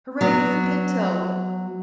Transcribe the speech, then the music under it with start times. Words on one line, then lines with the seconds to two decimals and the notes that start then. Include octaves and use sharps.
"Hooray for the Pinto!"
0.21 F#3 B3